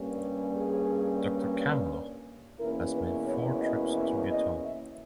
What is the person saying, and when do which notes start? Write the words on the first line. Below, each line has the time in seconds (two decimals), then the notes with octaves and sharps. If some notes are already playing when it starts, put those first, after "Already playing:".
Doctor Kamler has made four trips to Bhutan.
Already playing: G2 G3 A#3 C#4
0.57 G#4
2.60 E2 B2 A#3 C#4 E4 A#4
2.93 B4
3.27 C#5
3.62 D#5
3.96 E5
4.29 D#5
4.64 E5